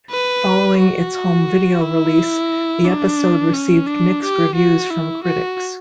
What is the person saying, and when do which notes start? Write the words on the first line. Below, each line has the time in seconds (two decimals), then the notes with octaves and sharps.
Following its home video release, the episode received mixed reviews from critics.
0.11 B4
0.78 F#4
1.81 E4
2.85 D4
3.54 C#4
3.87 D4
4.22 G4
4.55 F#4
4.90 E4
5.24 F#4